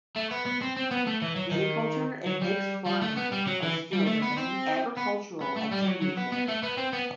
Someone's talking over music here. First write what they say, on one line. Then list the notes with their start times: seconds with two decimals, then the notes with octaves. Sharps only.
Viticulture and mixed farming are still the main agricultural activities there.
0.16 A3
0.31 B3
0.46 B3
0.62 C4
0.76 C4
0.91 B3
1.07 A3
1.22 E3
1.36 F#3
1.51 D#3
2.27 F#3
2.42 G3
2.86 G3
3.02 A3
3.17 B3
3.32 G3
3.47 F#3
3.62 E3
3.93 G3
4.07 A3
4.22 B3
4.37 C4
4.97 B3
5.42 B3
5.57 A3
5.72 G3
5.83 G3
5.88 F#3
6.02 F#3
6.17 B3
6.32 B3
6.48 A3
6.63 B3
6.77 C4
6.93 B3